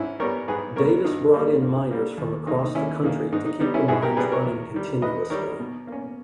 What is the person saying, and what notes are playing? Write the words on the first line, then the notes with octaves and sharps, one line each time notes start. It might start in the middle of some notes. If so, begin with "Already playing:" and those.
Davis brought in miners from across the country to keep the mines running continuously.
Already playing: G#2 C#4 E4
G3 B3 A#4 C#5
G#2 G#4 B4
G3 B3 A#4 C#5
G2 D#4
G3 A#3
G2
G3 A#3
D#2
D#3 A#3 D#4
D#4
D#2 C#4 E4
D#3 A#3 D#4
G#2 D#4
D#4
G3 B3 D#4
C#4 E4
G#2 E4 G#4
G4 A#4
G3 B3 G#4 B4
A#4 C#5
E2
D#3 G3
E2 B4 D#5
D#3 G3 A#4 C#5
B2
A#3 C#4